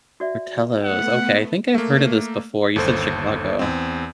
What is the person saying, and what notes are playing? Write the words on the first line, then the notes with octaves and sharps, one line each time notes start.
Portillo's. Okay, I think I've heard of this before. You said Chicago.
F#4 D5 E5
A3 B3 F#5
A3 A#3
G1 D#2 A4 C5
E2 C4